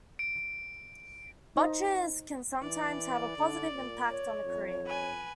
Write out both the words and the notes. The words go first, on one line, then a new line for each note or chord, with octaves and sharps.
Botches can sometimes have a positive impact on a career.
D7
D#4 C5 D#5
E3 D5
D3
A#2
C#5
F2
B4 G#5